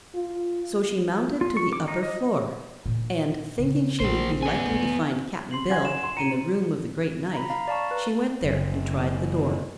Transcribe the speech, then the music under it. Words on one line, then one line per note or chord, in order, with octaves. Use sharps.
So she mounted to the upper floor, and thinking she would be likely to find Cap'n Bill in the Room of the Great Knife she went there and tried the door.
F4
F4
C#6
D6
D#4
D#5
A#2 D4
C#3 C4
A#1 A#3 C5
B3 G#5
C3 A#3
C6 C7 F#7
F#5 G#5 G#6 A6
E7
C6
A#5 C#7 D#7
A#5 B5
F5 A#5 B5
D5 F5 A5 C#6
B4 A#5
F#1